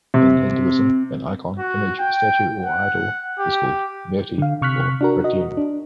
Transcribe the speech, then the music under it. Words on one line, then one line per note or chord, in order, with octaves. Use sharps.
In Hinduism, an icon, image, statue or idol is called "Murti" or "Pratima".
C3
F#4
G5
F#5
G4
D3 F5
C3 C#6 F6 F#6 B6
D4 F#4 A#4
F#4 D#5
D4